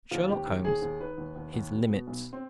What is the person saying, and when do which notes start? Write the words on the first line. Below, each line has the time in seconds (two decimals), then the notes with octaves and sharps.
SHERLOCK HOLMES--his limits.
0.11 D#2 F4
0.29 D#2 G4
0.47 D#2
0.65 D#2 G#4
0.82 D#2
1.00 D#3 B4
1.18 D#2
1.36 D#2
1.54 D#2
1.72 B2
1.90 B2
2.07 B1
2.33 C4